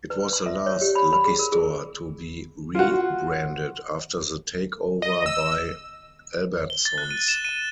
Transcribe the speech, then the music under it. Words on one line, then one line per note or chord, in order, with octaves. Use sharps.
It was the last Lucky Store to be re-branded after the takeover by Albertsons.
B4
C6
E5
C#5
G4
B5
B5
G#4
A#4
G#4
F4 F#4
D#5
E6
G7
A6
F#6
D#7
E7
D#7